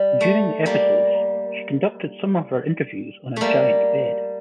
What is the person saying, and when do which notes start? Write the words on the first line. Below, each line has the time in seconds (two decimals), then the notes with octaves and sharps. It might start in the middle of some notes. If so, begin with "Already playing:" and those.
During the episodes, she conducted some of her interviews on a giant bed.
Already playing: G3
0.21 A3
0.66 G3 A#3
3.36 G3 A3 A#3